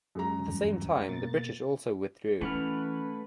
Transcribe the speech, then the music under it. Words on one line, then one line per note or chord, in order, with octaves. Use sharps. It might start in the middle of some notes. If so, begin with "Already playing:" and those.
At the same time the British also withdrew.
F#2 G#3 A#5
E2 G2
B2 A#3 A6
E3 A3 C#4 E4 B4 F#5 F6